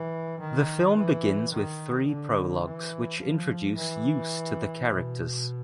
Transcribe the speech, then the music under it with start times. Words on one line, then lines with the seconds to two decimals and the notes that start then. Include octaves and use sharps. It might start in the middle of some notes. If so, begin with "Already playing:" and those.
The film begins with three prologues which introduce use to the characters.
Already playing: E3
0.40 D#3
0.97 E3
1.53 D#3
2.07 D3
2.64 E3
3.19 F3
3.76 E3
4.87 B2